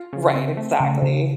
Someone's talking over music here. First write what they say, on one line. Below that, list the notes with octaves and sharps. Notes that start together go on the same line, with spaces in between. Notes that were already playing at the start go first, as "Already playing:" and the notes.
right, exactly.
Already playing: F4
C#3
C4
A3
C#3
C#3